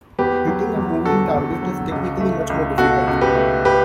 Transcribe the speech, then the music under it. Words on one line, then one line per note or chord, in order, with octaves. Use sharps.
Hitting a moving target is technically much more difficult.
E2 G4 B4
F#3
E2
D3 F#4 A4
E2
F#3
C#2
A3
C#2
B2 F#4 A4
C#2
G4 B4
A3
G4 B4